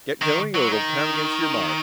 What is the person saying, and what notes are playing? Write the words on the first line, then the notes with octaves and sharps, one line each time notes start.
"Get going or it'll count against your mark!"
D#3
F#3
D#3